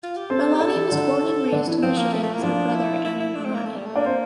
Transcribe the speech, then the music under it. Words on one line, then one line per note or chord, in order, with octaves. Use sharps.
Malani was born and raised in Michigan with her brother Anu Malani.
F4
G4
C4 A4 C5
G4
D4 A4 D5
E3 E4
D3 D4
D3 D4
E3 E4
F3 C4 F4
A#3
A3
A3
A#3
E4
F3 D4 F4
E4
E4
E4
D4
C4
A#3
A3
G3
A3
A#3 D4 D5
C4 C5